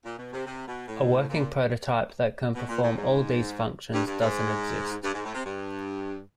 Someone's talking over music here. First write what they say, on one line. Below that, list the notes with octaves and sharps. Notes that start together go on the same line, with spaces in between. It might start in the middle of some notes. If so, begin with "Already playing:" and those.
A working proto-type that can perform all these functions doesn't exist.
A#2
B2
C3
C3
B2
A2
A#2
B2
A#2
A2
G#2
G2
G2
G#2
G2
G#2
A2
C3
G2